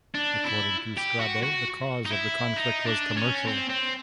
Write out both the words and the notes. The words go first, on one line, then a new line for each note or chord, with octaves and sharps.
According to Strabo, the cause of the conflict was commercial.
D4
E4
G4
F#4
F#4
D#4
E4
D#4
D4
C#4
C4
C4